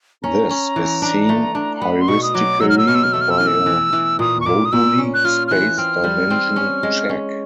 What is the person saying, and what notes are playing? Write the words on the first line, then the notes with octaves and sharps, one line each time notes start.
This is seen heuristically by a moduli space dimension check.
C#4 A#5
C#4
E3
D4
A3
D4
A#5
B3 B5
C6
B2 C#6
D#6
F#3 D6
F#3 E6
F6
E6
B2 F6
E6
F6
A3 E6
F6
E6
E3 F6
E6
E3
E3
A#2 D#6
C#6
A#2 D6
D#6
A#2 E6
C#4
F#6
F4 F6
F6
E3 F#6
C4 F6
G3
C4
C#4
G#3
C#4